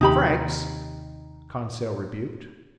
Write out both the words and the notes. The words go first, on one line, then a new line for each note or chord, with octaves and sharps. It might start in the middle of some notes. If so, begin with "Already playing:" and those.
"Francs!" Conseil rebuked.
D#2 C3 D#4 G4 B5